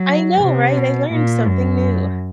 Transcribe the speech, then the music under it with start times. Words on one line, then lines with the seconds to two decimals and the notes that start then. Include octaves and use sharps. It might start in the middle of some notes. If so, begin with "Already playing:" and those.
I know, right? I learned something new.
Already playing: F#3
0.41 C3
0.77 B2
1.13 A#2
1.48 F#2